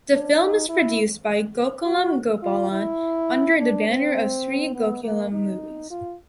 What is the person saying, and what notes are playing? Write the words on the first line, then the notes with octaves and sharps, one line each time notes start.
The film is produced by Gokulam Gopalan under the banner of Sree Gokulam Movies.
D4
D#4
E4
F#4
F4
E4
D4
C4
B3
A#3
D#4
F4